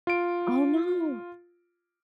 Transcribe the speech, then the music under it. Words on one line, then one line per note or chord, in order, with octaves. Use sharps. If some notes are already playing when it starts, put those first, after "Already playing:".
Oh no!
F4 D7